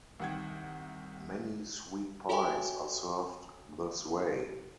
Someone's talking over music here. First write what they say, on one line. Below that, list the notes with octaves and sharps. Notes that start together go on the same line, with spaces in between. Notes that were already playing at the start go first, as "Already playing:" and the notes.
Many sweet pies are served this way.
C2 D#3 F#5 G5 G#6
F#4 A4 C#5 E5 G5 G#5